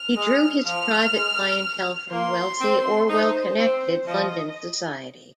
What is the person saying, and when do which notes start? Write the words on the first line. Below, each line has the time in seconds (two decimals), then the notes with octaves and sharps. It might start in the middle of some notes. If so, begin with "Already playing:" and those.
He drew his private clientele from wealthy or well-connected London society.
Already playing: F6
0.16 G#3
0.64 F3 F6
1.14 G#3
2.11 A#3 C6
2.61 C4
3.09 D#4 C5
3.59 C4
4.08 F3 D#5